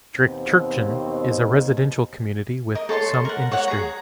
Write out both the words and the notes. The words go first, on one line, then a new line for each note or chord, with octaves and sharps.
Dreikirchen is a residential community with some industry.
D#2 B2 C4
A#4 D#5
A4 C#5 A5 C6
A#4 F#5
C#5 F#5
G#4 A#5